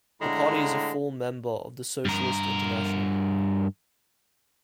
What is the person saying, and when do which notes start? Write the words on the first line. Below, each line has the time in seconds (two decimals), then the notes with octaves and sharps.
The party is a full member of the Socialist International.
0.21 A2 D3 G#3 A#5
2.05 G2 A#4